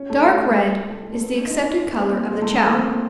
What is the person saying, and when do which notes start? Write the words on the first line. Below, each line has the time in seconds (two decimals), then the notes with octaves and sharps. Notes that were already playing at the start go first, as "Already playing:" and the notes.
Dark red is the accepted colour of the Chow.
Already playing: C#4
0.10 A3
0.25 A3
0.47 G#3
0.90 A3
1.01 G#3
1.13 A3
1.22 B3
1.31 C4
1.39 D4
1.47 D#4
1.55 E4
1.66 D#4
1.99 C4
2.09 A#3
2.32 G#3
2.42 A3
2.53 A3
2.64 A#3
2.74 C4
2.85 A#3